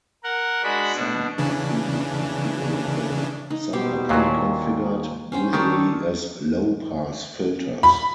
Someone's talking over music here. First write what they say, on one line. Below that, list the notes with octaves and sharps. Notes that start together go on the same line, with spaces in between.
Some are fully configurable; some are pre-configured, usually as low-pass filters.
A#4 F#5
G#3 D4 F#4 B5
B2 D4
C#3 E3 D4
D#4
B2 G4 C5
D#2 A#2 F#3 A#3 A#4
C#4 C5 G5
D#3 A4 C#5 D5
B5